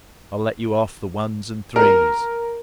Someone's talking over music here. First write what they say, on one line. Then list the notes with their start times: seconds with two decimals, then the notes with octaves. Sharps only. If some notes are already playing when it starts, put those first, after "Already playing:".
I'll let you off the ones and threes.
1.76 A#4